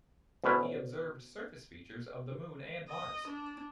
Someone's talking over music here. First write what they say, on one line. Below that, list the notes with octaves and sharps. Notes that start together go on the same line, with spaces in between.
He observed surface features of the Moon and Mars.
D2 B2 C#4 E4 B4
D#5
D4